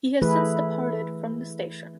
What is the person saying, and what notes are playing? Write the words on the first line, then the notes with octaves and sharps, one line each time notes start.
He has since departed from the station.
E3 A3 E4 G#4 B4